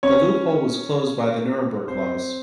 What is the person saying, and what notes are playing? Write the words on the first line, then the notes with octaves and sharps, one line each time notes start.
The loophole was closed by the Nuremberg Laws.
C#4 C#5
C4 C5